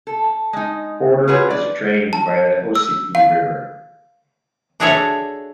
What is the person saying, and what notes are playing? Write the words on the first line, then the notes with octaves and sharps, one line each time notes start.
Porter is drained by the Ossipee River.
A4
G#3 D#4
F4 F#4 G#4 B4 C#5
D5
A5
E6
F5
D4 F#4 G#4 A4 C#5 E5